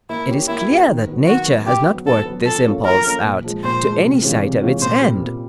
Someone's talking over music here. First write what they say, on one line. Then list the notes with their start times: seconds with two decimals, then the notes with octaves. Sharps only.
It is clear that Nature has not worked this impulse out to any sight of its end.
0.10 A#3 E4
0.29 C#4 E4 G4
0.48 A#3 E4
0.68 C#4 E4 G4
0.87 D#3
1.08 F#3 B3
1.27 D#3 F#4
1.47 F#3 B3
1.66 D3 G4
1.86 F#3 B3
2.06 D3 A4
2.25 F#3 B3
2.45 F3 A4
2.65 A#3 C#4 F4 A4
2.84 F3 A#4
3.04 A#3 C#4 F4 A4
3.24 A#2
3.44 F3 G#3
3.63 A#2 C5
3.83 F3 G#3
4.03 C3
4.22 E3 G#3 C#4 F4
4.43 C3
4.61 E3 G#3 C#4 F4
4.82 A#2 C5
5.02 G3 C4
5.21 A#2